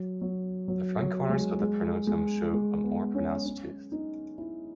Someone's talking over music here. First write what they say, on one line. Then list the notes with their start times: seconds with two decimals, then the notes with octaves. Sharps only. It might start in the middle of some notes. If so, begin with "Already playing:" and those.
The front corners of the pronotum show a more pronounced tooth.
Already playing: F#3
0.21 F#3
0.68 F#3
0.99 F#3
1.29 G#3
1.61 G#3
2.07 G#3
2.53 G#3
2.84 B3
3.15 C#4
3.46 C#4
3.92 D#4
4.38 E4